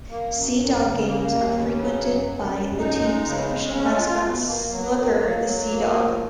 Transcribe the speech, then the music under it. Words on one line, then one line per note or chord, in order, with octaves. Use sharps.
Sea Dogs games are frequented by the team's official mascot Slugger the Sea Dog.
A#3
F#2
F#2
C#3
A#3
D#2
C#3
F#3
F#2
F#2
F#2
D#4
G#3
C#3
G#3
C#4
F4
B2
A#3
F#3
A#3
F#3
F#3
A#3
F3